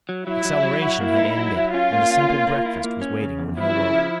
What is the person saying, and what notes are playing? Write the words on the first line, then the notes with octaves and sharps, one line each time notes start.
Acceleration had ended, and a simple breakfast was waiting when he awoke.
F#3
F#3 E4
F#3
F#3
F#4
A#3 E4
D#4
F#3
F#3
C#4 F4
A#3
C#4
A#3
A#3
E4
A#3
C#4
C#3
E2
F3 E4
C#3
F3